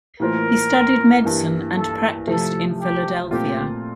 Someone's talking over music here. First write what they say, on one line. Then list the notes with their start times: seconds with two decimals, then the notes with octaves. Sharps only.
He studied medicine and practiced in Philadelphia.
0.20 A2 E3 A#3 F4 A#4 C5
1.23 G2 E3 A#3
1.76 A4
2.27 C3 F3 A3 A4
2.80 G4
3.31 A#2 A3 C4 F4 G4